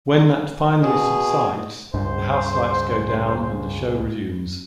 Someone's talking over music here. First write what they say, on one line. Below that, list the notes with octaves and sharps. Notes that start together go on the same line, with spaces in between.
When that finally subsides, the house lights go down and the show resumes.
B2 G#4
C#2 G2 C5